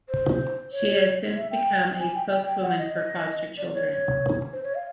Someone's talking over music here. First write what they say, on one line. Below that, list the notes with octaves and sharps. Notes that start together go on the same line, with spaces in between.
She has since become a spokeswoman for foster children.
C5
C#5
E5
G5
G#5
G5
G5
G5
F#5
D#5
D#5
D5
C#5
C#5
C5
C#5
F5